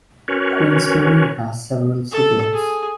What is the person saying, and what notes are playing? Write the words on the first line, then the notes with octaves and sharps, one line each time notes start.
Queensberry has several siblings.
C#4 F#4 A#4 B4 C#5
A4
G#4